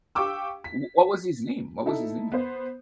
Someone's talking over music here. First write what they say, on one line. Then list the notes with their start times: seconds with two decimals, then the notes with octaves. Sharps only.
W what was his name? What was his name?
0.15 G4 F5 G5 C#6 D6 E6
0.64 B6
1.86 D#4 E4 A4
2.32 B3 C5